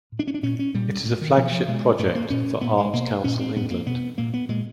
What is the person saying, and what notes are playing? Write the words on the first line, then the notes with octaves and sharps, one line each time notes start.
It is a flagship project for Arts Council England.
A2
D4
C#4
D4
A#2 C#4
C#4
A#2 G3
A2
D#3
B2 F3
F3
B2 G#3
A2 A3
A#3
A#2 C#4
A#2 B3
G#3
B2 A#3
A#2 C#4
C4
A2 B3
A#3
B2 B3
A#2 A#3
B3
A#2 G#3